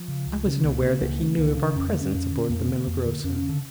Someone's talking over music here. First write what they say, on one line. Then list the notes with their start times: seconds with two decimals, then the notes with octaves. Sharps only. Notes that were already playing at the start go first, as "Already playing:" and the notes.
"I wasn't aware that he knew of our presence aboard the Milagrosa."
Already playing: F3
0.08 C#3
0.27 C#2
0.46 C#3
0.64 C#2 A#3
0.82 C#3 A#3
1.01 C#2 A#3
1.20 C#3 A3
1.38 C#2 A#3
1.56 C#3 D4
1.75 F2 C#4
1.89 A#3
1.94 D3
2.01 C#4
2.13 F2
2.31 D3
2.50 F2 A#3
2.59 C#4
2.67 D3 A#3
2.87 F2
3.06 D3
3.24 F2 C#4
3.36 C#4
3.43 C#3
3.49 D3